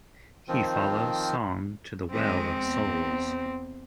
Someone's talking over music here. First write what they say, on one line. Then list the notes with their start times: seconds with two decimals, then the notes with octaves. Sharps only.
He follows Song to the Well of Souls.
0.49 D#3 F3 C4
2.12 D#3 G#3 C4
2.62 E2